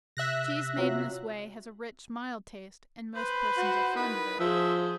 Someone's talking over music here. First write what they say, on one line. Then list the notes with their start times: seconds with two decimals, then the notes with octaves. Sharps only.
Cheese made in this way has a rich, mild taste, and most persons are fond of it.
0.17 C3 E5 F#6 A#6
0.78 F#3 C4 F4 F#4 F5
3.15 B4 C5 B5
3.58 F#4
3.96 D#3 E4 B4
4.40 F3 G#4 C5 E5